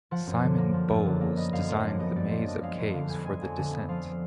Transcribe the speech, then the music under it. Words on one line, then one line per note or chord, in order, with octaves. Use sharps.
Simon Bowles designed the maze of caves for "The Descent".
F3 F#5
F#2
D3
A#3
F3
F#2
D3
A#3
B3 D#5
F#2 F5
F3
D4 F#5
B3 D#5
F#2 D5
F3 D5
D4 D#5
G#3 F5
F2
D3 F5
B3 G#5
G#3 G#5
F2
D3
B3
F3 F5